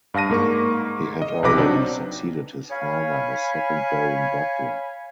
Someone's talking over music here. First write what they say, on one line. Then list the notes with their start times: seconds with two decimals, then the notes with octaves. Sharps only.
He had already succeeded his father as second Baron Butler.
0.14 G2 F5 A5 A#6 D#7
0.30 G#2 A#3 A#4 C#6
1.22 D#5
1.43 B1 C3 B4 D6 A#6
1.57 F#3 C4 D4 D#4
2.70 C#5 F5 G#5 B5